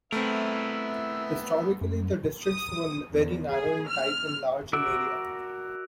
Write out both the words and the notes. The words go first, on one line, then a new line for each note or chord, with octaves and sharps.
Historically, the districts were very narrow in type and large in area.
A3 B3 C4 E4 A#4 E5 E6
F#2
D#6
E2
G#4
F6
F#4 A#4 D5 E5